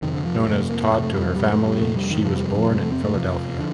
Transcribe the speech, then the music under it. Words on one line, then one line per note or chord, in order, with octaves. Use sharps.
Known as "Tod" to her family, she was born in Philadelphia.
F2 C3 D#3
D3
F3
G3
F2 C3 A3
A#3
F2 C3 A3
A3
G3
F3
F2 C3 G3
A3
G3
F2 C3 A3
G3
D#3
F2 C3 F3
G3
G3
F3
F2 C3 G3
A3
C4
A3
F2 C3 F3
D3